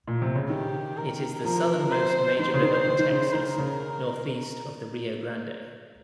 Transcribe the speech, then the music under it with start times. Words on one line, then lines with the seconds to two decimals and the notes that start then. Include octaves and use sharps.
It is the southernmost major river in Texas northeast of the Rio Grande.
0.07 A#2
0.22 C3
0.35 C#3
0.50 D#3 G4
0.97 A#4
1.44 F3 A#4
1.92 C5
2.39 D#3 C5
2.54 C#3
2.63 D#3
2.87 D#3
2.99 D#3
3.10 C#3
3.34 D#3 A#4
3.58 C#3